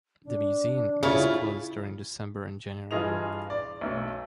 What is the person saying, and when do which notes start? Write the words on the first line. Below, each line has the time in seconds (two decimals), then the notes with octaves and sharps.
The museum is closed during December and January.
0.24 D4
1.03 C#3 G3 E4 F4 C#5
2.91 G2 E3 F4 G#4 D#5 F7
3.50 D5
3.81 B1 A3